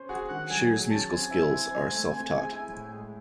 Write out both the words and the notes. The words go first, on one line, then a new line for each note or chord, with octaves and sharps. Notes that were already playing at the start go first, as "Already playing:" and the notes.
Shear's musical skills are self-taught.
Already playing: C#4 C5
F#4 G#4
D#3 F#5
F#3 G#5
G#4
C#4 A5
C4 G#5
E4
C4
C5
A3
C4
G#4
E4
A2
G#3